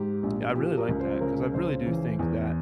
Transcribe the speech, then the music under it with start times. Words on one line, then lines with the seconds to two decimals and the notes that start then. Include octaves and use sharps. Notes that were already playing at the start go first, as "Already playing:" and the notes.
Yeah, I really like that 'cause I really do think that
Already playing: G#2 G4
0.23 A#1
0.55 F3 G4
0.77 A#4
0.88 C#2
0.99 C5
1.21 C#3 A#4
1.54 C#2 C5
1.86 E3
2.19 E2